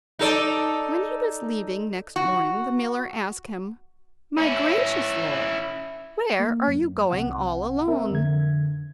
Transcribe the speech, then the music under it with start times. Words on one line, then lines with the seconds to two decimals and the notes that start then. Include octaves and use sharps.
When he was leaving next morning the miller asked him: 'My gracious lord, where are you going all alone?'
0.19 D#4 A4 D5
2.16 F#4
4.37 C#4 E4
6.39 A#3
6.68 F#2
7.11 C2 C3 F#5
7.87 C4 A#4 E5
8.10 F2 D3 G#6